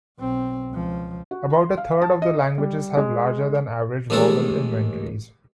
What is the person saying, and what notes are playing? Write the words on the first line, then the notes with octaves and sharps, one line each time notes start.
About a third of the languages have larger than average vowel inventories.
B1 C4
C#2 F3
F#4
C6
F5
A5
D#5
G3
G#3
A1 D#2 D#3 G#3 G#4 A4